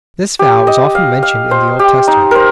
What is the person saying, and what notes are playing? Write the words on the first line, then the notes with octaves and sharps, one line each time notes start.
This vow is often mentioned in the Old Testament.
G4
D#5
F5
F5
C5
G4
D#4
A#4 C5